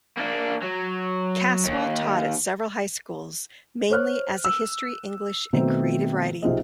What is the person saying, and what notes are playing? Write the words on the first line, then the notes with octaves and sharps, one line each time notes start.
Caswell taught at several high schools, mainly as a history, English and creative writing.
A#3 D4
F#3
D#2
C5 C#5 F6 F#6
E6
B2 D#3 A3 C4
B1 C3 C4 F4 G#4 D#5